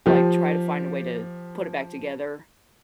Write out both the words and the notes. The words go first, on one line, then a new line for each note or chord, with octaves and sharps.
Like, try to find a way to put it back together,
F3 G4